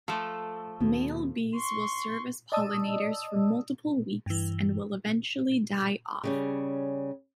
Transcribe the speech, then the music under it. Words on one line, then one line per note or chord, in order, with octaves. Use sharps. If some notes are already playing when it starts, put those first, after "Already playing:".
Male bees will serve as pollinators for multiple weeks and will eventually die off.
F3 A3 A4
D#2 B2
C6 C#6
D5 D#5 A5 D#6 E6
G2 E3
C#3 G3 C#4